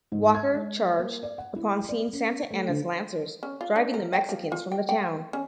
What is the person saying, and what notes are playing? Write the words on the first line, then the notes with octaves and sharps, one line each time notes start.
Walker charged, upon seeing Santa Anna's lancers, driving the Mexicans from the town.
G#2
G#6
G#3
A#3
D5
F#5
E4
D5
C#4
A3
D3
C#4
F4
D4
A#4
G5
F3
F4
G5
G5
C#4